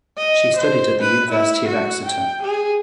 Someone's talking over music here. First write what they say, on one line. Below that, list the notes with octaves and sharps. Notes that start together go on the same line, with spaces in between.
She studied at the University of Exeter.
D#5
C5
B4
E4
F#4
G5
G#4